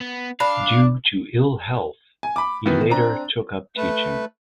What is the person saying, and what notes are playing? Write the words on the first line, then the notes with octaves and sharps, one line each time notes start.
Due to ill health he later took up teaching.
B3
D4 F5 B5
G#5
B5 D6
B2 D#3 E3 B3
C4 D4 A#5
A3 B4